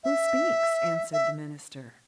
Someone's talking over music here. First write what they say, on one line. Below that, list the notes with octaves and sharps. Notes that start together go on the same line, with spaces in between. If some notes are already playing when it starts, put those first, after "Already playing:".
"Who speaks?" answered the minister.
E5
E5